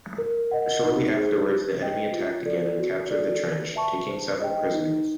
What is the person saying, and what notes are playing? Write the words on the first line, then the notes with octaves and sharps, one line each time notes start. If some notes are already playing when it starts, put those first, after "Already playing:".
Shortly afterwards the enemy attacked again and captured the trench, taking several prisoners.
A#4
D#5 F#5
D#4
G#4 C5
G4
B4 D#5 G5
F4
A4 D5
F#4
A4 D5
B4
E5 A5 C#6
C5
D#5 G5
D#4